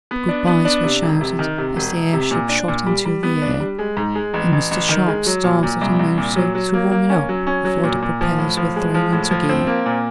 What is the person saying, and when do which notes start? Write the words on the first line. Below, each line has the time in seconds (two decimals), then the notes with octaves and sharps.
Good-bys were shouted as the airship shot into the air, and Mr. Sharp started the motor, to warm it up before the propellers were thrown into gear.
0.11 B3
0.28 D4
0.47 B3
0.65 D4
0.84 C3
1.02 E1
1.21 C3
1.39 D#3
1.58 C3
1.76 E1
1.94 E1
2.13 C3
2.31 A#2
2.49 D4
2.68 A#2
2.86 G3
3.05 G3
3.23 B3
3.42 D4
3.60 G3
3.79 G#3
3.97 G#2
4.15 G#3
4.34 A1
4.52 A1
4.71 A1
4.89 D#3
5.07 G#3
5.26 F#3
5.44 A#2
5.63 A#2
5.81 C2
5.99 C2
6.18 A#2
6.36 F#3
6.55 F#3
6.74 A#3
6.91 A#3
7.10 C#4
7.29 F#3
7.47 C#4
7.65 F#3
7.84 A#2
8.02 A#2
8.21 F3
8.39 A2
8.57 F3
8.76 G#3
8.94 F3
9.12 A2
9.31 F3
9.49 C4
9.67 A#3
9.86 A#2